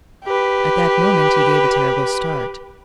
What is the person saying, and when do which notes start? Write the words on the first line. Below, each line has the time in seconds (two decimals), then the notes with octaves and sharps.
At that moment, he gave a terrible start.
0.25 G4 B4